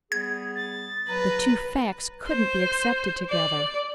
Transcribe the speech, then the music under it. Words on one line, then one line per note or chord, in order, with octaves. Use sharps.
The two facts couldn't be accepted together.
G3 B3 G#4 G#6
A6
F#3 B4 A#5
C5
D5